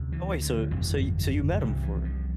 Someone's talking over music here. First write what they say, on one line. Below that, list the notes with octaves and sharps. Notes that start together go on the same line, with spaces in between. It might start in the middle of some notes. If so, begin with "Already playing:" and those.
Oh, wait, so so y so you met him before?
Already playing: D2 C3
E3
D3
G1 F2 C3 E3
C2 C3 F3
E3
F3